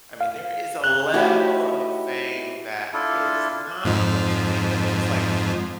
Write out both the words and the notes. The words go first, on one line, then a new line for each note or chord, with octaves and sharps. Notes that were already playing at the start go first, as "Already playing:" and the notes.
I mean, there is a level of fame that is not what you think, I mean, it's like,
F5
F#6
A3 C#4 D#4 E4 F#4 G4
D4 E4 F4 A4
F2 G#2 F3